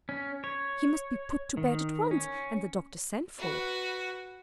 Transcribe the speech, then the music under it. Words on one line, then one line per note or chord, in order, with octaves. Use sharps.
He must be put to bed at once, and the doctor sent for!
C#4
C#5
D#3
C#4
F#4 B4